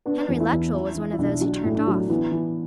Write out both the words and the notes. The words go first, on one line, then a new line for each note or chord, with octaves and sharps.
Henry Luttrell was one of those who turned off.
B3 D4
E2
E4
E2
E3 E4
E3
E4
B1 D4
F#3 D4
A2
D4
F#3
E3 B3
E3